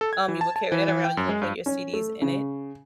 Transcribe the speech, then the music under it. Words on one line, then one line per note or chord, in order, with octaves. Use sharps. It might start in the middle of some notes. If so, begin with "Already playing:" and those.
um, you would carry that around and you could play your CDs in it,
A4
G#6
E3
A5
A5
E3
E3
G5
F#2
G#3
G2
C#4
A3
C#3